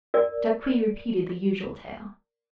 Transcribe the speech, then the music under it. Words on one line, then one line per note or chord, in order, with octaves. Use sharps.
Jacques repeated the usual tale.
A#4 D5